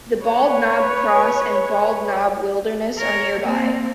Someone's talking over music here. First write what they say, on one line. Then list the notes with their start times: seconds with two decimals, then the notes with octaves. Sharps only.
The Bald Knob Cross and Bald Knob Wilderness are nearby.
0.22 B4 C#5
2.97 A#4 C#5
3.41 A#3 C4